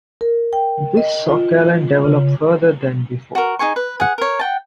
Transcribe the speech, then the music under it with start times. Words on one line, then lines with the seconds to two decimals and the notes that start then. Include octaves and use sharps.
This saw Callan develop further than before.
0.21 A#4
0.53 G5
0.97 D#5
1.29 F4
2.05 C#3
3.35 F#4 A#4
3.59 D#4 G#4 G#5 C#6
3.76 B4
4.00 G#4 F#5
4.18 A#4 C#5
4.39 F#5 G5 A5